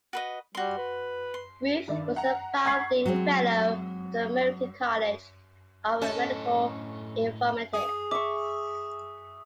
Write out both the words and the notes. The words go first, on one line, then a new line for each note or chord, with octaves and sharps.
Ruth was a founding Fellow of the American College of Medical Informatics.
F#4 B4 D#5
G3 F#4 C6
B4
C6
G2 D#3 D5 E5
F#5 A#5
F#5 A#5 C#6 G#6 B6 C7
F#3 G#3 C4 G#4
A2 C#4 A4 D#5
G#4 D#6
E5 C#6 D6